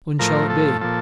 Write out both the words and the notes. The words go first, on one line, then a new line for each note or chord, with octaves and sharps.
"When shall it be?"
A2 F3 A#4
A4
A#2 F3 A4